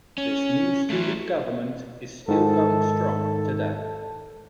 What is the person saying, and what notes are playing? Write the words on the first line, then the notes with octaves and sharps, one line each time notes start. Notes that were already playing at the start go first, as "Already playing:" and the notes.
This new Student Government is still going strong today.
C#4
E3 A3
G#2 D#3 A4